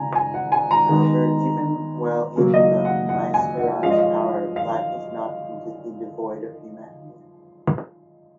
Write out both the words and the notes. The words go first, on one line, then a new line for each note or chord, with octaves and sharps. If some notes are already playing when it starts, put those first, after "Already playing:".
However, even while in the Mysteron's power, Black is not completely devoid of humanity.
Already playing: C#3 G#5 A#5
G#5
F#5
G#5
A#5
D#3 G#3 B3
C#3 F#3 A#3 C#4
D#5
F5
F#5
F#5
G#5
F#5
F3 G#3 C#4 F5
D#5
F5
F5